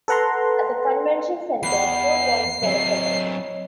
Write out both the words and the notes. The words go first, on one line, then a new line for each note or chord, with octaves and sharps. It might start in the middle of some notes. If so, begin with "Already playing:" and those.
At the Convention Center, four bodies were recovered.
A4 B4 F#5 A#5 C6
E2 F#5 B5 C7
F#3 C4 C#5 D#5